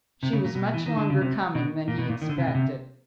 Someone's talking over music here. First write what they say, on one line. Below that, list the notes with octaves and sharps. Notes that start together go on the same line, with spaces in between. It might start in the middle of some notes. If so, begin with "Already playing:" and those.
She was much longer coming than he expected.
C3
C#3
A#2
B2
E3
D#3
D3
C#3
C3
B2
A#2
B2
A#2
D#3
D3
C3
B2
C3